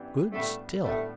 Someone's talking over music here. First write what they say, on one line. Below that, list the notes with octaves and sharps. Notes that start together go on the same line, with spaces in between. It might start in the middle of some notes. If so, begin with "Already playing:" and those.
Good, still.
Already playing: F#2 E3 B3 D4 G4
A2 G3 A3 B3 D4
A2 G3 A3 B3 D4